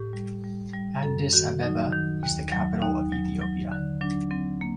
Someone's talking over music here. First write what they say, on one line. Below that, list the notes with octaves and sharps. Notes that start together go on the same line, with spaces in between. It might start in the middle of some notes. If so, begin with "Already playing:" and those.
Addis Abeba is the capital of Ethiopia.
Already playing: A2 G4
G3
G3
G3
F#2 A4
D#3 F#4
F#3 D#4
D#3
D#2
F#3
D#2 D#4
F#3
F#3
D3
F#3 D4
F#3 C4
A#3